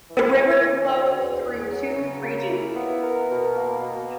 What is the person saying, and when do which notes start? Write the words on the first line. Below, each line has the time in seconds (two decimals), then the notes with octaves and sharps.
The river flows through two regions.
0.10 E3
0.37 C#4
0.63 D3
0.89 D2
1.17 E2
1.44 E2
1.69 F#3
1.97 C#3
2.23 A#3
2.50 E4
2.76 B3
3.03 A#4
3.30 B2
3.55 A#3
3.82 B2